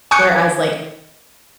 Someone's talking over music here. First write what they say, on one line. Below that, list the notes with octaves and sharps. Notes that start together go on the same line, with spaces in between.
whereas, like,
G#5 C#6 D#6 F#6 G6 C#7